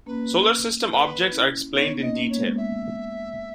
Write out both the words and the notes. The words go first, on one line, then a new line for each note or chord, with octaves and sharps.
Solar system objects are explained in detail.
A#3 C#4 B4
B4
C#4 E4
B3 D#4 C#5
B3
A#3 C#4
D#5
A#3 C#4
A#3 C#5
G#3 B3
E5